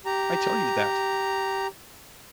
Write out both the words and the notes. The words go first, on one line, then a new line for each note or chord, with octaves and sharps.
I tell you that.
G4 A#5